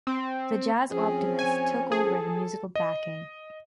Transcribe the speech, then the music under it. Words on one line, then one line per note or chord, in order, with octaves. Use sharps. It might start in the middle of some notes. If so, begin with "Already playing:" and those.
The Jazz Optimists took over the musical backing.
C4
F3 C4 C#4 G#4
C#5 G#5
G#4 A4
D#5